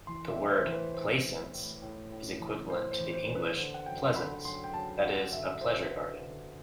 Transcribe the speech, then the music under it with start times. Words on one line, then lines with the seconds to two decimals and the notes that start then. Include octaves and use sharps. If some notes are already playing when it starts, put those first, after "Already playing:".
The word "plaisance" is equivalent to the English "pleasance", that is a pleasure garden.
0.07 E3 C6
0.29 E5
0.36 A2
0.52 C5
0.66 E3
0.72 B4
0.94 A2 C5
1.24 A2
1.54 A2
1.82 A2
2.12 A2
2.40 E3
2.70 A2 C5
2.92 C5
3.00 E3
3.13 C5
3.29 E3
3.35 B4
3.57 D3 C5
3.74 F#5
3.86 F#2 G5
4.05 C6
4.16 D3 B5
4.45 F#2 C6
4.64 G5
4.74 F#2 A5
5.03 F#2 F#5
5.33 D3 E5
5.61 D3 C5
5.91 D3 B4
6.20 D3